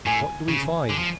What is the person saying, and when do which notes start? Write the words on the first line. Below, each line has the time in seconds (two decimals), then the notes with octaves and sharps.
What do we find?
0.06 A2 G#5
0.49 C#3
0.90 D3
0.99 F3